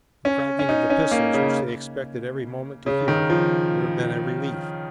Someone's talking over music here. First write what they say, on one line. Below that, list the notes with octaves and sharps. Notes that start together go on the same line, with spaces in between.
The cracking of the pistols, which they expected every moment to hear, would have been a relief.
C#4
C#4
D#4
C#4
A#3
C#3
C#3
D#3
F3